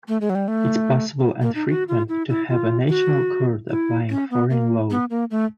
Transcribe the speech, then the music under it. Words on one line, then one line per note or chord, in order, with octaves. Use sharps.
It is possible and frequent to have a national court applying foreign law.
A3
G#3
F#3
G3
A3
A#3
D#4
F#4
F4
E4
E4
F4
F#4
E4
C#4
B3
A#3
B3
A#3
A3